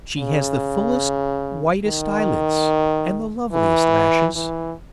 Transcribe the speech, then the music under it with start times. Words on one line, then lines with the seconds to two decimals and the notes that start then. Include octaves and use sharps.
She has the fullest, whitest eyelids, and the loveliest lashes.
0.18 C#3
1.85 D#3
3.53 E3
4.36 E3